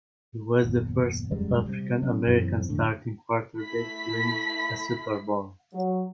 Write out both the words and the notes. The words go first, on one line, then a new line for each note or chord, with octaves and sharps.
He was the first African-American starting quarterback to win a Super Bowl.
F#1 D#2 A#2 B3
E1 F#2 G3 G#3
C3 G3 C4
B2 F#3 B3 C#4
F#2 B2 E3 C4
F2 A2 D3
A3 E4 B5 B6
F#3